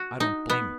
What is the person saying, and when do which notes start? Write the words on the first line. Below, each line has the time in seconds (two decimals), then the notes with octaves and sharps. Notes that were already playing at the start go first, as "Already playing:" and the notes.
I don't blame you.
Already playing: F#4
0.20 D#4
0.50 B3